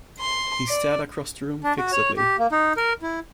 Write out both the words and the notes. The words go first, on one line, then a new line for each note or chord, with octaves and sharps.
He stared across the room fixedly.
C6
D5
D4
F#4
C#5
G4
A#3
D#4
A#4
E4